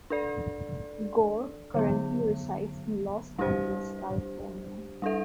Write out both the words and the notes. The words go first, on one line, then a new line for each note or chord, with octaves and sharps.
Gore currently resides in Los Angeles, California.
D4 A4 D5
D3 F#3 B3
G3 D4 G4 C5
G3 D4 A4 E5